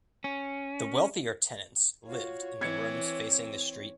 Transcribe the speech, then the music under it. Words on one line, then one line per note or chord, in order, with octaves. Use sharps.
The wealthier tenants lived in the rooms facing the street.
C#4
F4 F#4 C#5
E3 C4 G#6 C#7